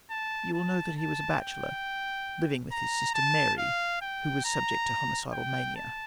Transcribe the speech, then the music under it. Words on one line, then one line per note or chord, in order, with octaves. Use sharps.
You will know that he was a bachelor, living with his sister Mary, who was subject to homicidal mania.
A5
A5
A5
G5
A#5
A5
F5
G5
A#5
G5
A5